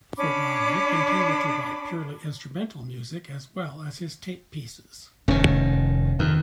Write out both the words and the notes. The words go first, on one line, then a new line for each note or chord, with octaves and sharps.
Ferrari continued to write purely instrumental music as well as his tape pieces.
C#4 D4 B5 D6
F1 D#3 C#4
F2 D#3